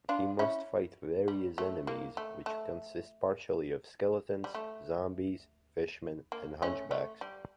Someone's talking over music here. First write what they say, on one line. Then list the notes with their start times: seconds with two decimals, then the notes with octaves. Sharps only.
He must fight various enemies which consist partially of skeletons, zombies, fishmen, and hunchbacks.
0.09 D4 F4
0.39 C#4 E4
1.28 G3
1.58 A3
1.87 A#3
2.17 A3
2.46 A3
4.44 G3
4.55 A3
6.32 A#3
6.62 A3 C#4
6.91 A3
7.21 G3